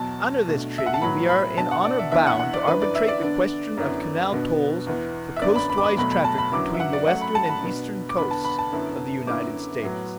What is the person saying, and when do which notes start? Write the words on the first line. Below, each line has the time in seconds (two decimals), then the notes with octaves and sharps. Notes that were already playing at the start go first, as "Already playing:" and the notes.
Under this treaty we are in honor bound to arbitrate the question of canal tolls for coastwise traffic between the Western and Eastern coasts of the United States.
Already playing: E2 B2 F#3 A5
0.48 B2 A3 D4
0.78 E5
0.86 F#5
0.94 A5
1.02 A2 F#3 B3 E4 B5
1.29 B5
1.57 B2 B3 D4 A5
1.71 F#5
1.85 D5
1.99 E5
2.12 E2 E3 D4 E5
2.27 F#5
2.40 F#5
2.54 D5
2.67 F#2 E3 D4 B4
2.82 D5
2.95 E5
3.08 D5
3.22 D3 B3 D4
3.77 F#2 D3 B3 E4
4.32 B2 B3 D4
4.87 E2 E3 B3
5.36 E5
5.42 F#2 D3 B3 D5
5.56 B5
5.70 B5
5.78 D6
5.84 B5
5.97 E2 B2 F#3 A3 B5
6.12 B5
6.24 A5
6.38 B5
6.52 F#2 D3 F#3 B3 E4 D6
6.74 E5
6.80 F#5
6.93 D5
7.08 F#2 F#3 A3 F#5
7.21 B5
7.35 A5
7.49 B5
7.63 B2 B3 D4
8.09 D6
8.18 E2 D3 B3 D4 B5
8.31 A5
8.45 B5
8.59 A5
8.72 F#2 D3 B3 E4
9.27 F#2 D3 B3 E4 D6
9.82 A2 F#3 B3